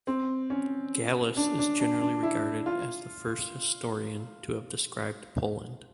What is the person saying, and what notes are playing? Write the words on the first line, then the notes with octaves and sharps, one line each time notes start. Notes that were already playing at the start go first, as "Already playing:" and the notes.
"Gallus" is generally regarded as the first historian to have described Poland.
C4
C#4
D4
D4
D4
D4
E4
F4